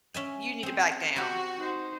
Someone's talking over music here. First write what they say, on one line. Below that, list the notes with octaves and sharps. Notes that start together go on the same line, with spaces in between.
you need to back down
C#4 E5 G#5
C4 G#4
C4 F#4 G4
D#4 C5